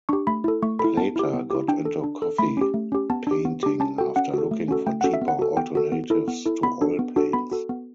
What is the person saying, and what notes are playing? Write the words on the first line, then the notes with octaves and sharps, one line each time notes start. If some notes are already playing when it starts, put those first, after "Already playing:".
Plata got into coffee painting after looking for cheaper alternatives to oil paints.
D4 G4 C#6
A3 B5
E4 A4
A3 C#6
E4 A4 B5
B3 A5
E4 G4
B3
E4 G4
D4 G5
A4
D4
A4
A3 B5
C#4 G4
A3
C#4 G4
B3 A5
D4 G4
B3
D4 G4
C#4 A5
F#4 A4 G5
C#4 F#5
F#4 A4
A3
C#4 F#4 A4
A3 G5
C#4 F#4 A4 F#5
E5
B3
F#5
F#4 A4
B3 G5
F#4 A4
B3
E4 A4
B3
E4 A4
B3 B5
D4 F#4 A4
B3
D4 F#4 A4
B3 B5
F#4 A4
B3